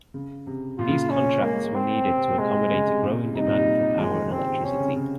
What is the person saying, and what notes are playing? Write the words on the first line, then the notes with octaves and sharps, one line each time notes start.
These contracts were needed to accommodate a growing demand for power and electricity.
C#3
C3
A#2 F4
C#3
C#4
G#3 A#3
G#3
G#3
C4
C3
C3
A#2
C3 G#3
C#3
C3
A#2
C3 D#4
A#2
G3
D#3
F3 G#3
D#3
C#3
C3 C4
C3
C3 C#4
C#3
C#3